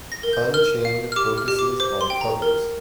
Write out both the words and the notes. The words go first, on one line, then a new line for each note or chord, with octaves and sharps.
"Unchained" focuses on covers.
A#6
A#4
G6
A#4 F6
F5
F6
G4 D6
F6
G4
D6
C5 D6
C6
G5
A#5
A#4